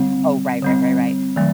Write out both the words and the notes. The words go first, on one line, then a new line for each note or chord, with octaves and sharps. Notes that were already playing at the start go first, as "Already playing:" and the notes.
Oh, right, right, right, right.
Already playing: D3 G3 C4
D3 G3 C4
D#3 F#3 A3